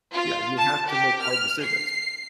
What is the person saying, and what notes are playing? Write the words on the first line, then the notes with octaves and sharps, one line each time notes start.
Yeah, you have to make hard decisions.
F4
A5
G4
F6
C7